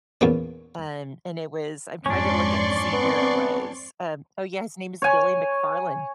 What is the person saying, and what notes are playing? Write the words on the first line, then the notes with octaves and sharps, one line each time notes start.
Um, and it was I'm trying to look at, see where it was. Um, oh yeah. His name is Billy McFarlane.
E2 A#2 C#4
F2 G#2 F3 C#4 D4 D5 C6 C#6
B3 C4
C#5 G#5